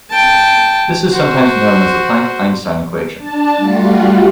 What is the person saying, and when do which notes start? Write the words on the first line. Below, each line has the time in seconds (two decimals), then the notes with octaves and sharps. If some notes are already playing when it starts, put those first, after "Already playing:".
This is sometimes known as the Planck-Einstein equation.
0.10 G5 A5
1.13 F#4 C5
3.17 D4 A5
3.57 G3 A3 F4 F#4